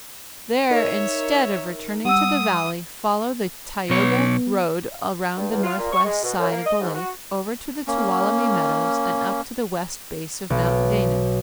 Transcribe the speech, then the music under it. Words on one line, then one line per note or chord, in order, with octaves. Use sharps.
There instead of returning to the Valley, follow the Tioga road around the northwest side of the lake, over to the Tuolumne Meadows and up to the west base of Mount Dana.
D#4 A#4 C#5 E5
G3 F#5 D#6 E6
B1 B3 C#5
G2
E2
F4
A#2
C#6
G#3
B2
F#2
A#3
D#5
G#2
F#4
A#3 C#4
B1